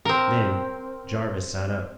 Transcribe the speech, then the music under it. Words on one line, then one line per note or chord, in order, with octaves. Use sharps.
Then Jarvis sat up.
C4 A#4